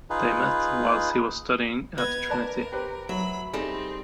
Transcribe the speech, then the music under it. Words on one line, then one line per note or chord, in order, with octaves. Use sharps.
They met whilst he was studying at Trinity.
D#4 F4 G#4 B4
B3 B4 D#5 G#6 F7
A#4 B4 D5 A5
G4 B4 C5
F#3 E5 B5
G3 C4 D#4 G#4 A4 A5 B5